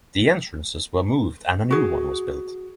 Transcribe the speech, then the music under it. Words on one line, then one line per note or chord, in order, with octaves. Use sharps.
The entrances were moved and a new one was built.
F#4 G#4